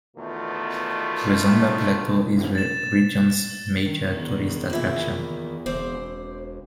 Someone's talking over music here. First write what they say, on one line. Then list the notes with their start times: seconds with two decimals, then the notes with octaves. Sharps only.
The Zomba Plateau is the region's major tourist attraction.
0.17 E2 B2 D#3 A3 F4
2.55 A6 E7
3.86 D#3
4.12 E2 E3
4.70 A#2 E4
5.66 E1 C4 C5 D5